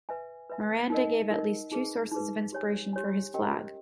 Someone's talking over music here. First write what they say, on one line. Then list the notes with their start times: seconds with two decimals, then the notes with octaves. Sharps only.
Miranda gave at least two sources of inspiration for his flag.
0.09 B4 E5 G#5
0.50 B4 E5 G#5
0.90 D#4 A#4 D#5
1.31 D#4 A#4 D#5
1.71 D#4 G#4 B4
2.12 D#4 G#4 B4
2.52 G4 C#5 G#5
2.93 G4 C#5 G#5
3.34 C#4 G4 A#4 D#5 G5